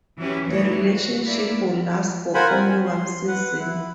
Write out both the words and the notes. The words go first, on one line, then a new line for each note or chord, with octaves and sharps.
The relationship would last for only one season.
E3 F#3 C#4 E4 G4
E2 E3 G3 A3 D#4 C#5
F#4
A3 A#3 E4 D5 E5
F4 A#4 C5 F#5 G#5 B5
C4 G#5
C6
B4 F#5
E4